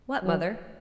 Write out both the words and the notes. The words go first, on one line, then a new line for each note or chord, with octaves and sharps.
"What, mother?"
F#3